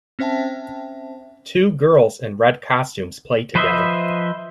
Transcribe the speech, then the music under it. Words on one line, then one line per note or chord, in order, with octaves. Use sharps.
Two girls in red costumes play together.
C4 C#4 C5 E5 G5 A5
F3 B4 C5 D#5 E5